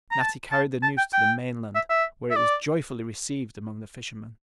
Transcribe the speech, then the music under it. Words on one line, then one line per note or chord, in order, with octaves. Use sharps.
Natty carried the news to the mainland, where it was joyfully received among the fishermen.
A#5
A5
A5
A5
G5
G5
E5
E5
E5
D5